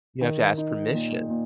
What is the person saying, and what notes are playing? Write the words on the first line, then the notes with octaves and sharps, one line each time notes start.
You have to ask permission.
D#3
D#4
A#2
A#2